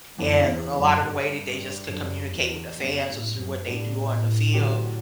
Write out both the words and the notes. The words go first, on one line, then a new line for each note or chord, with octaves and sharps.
and a lotta the way that they just could communicate with the fans is through what they do on the field
F#2 E3 B3 D4 A4
E2
F#2
G2 G3 D4 A4
F#2 G3 D4 A4
E2
F#2 G3 B3 D4
A2
F#2
A2 G3 B3 D4
D3 F#3 C#4 G4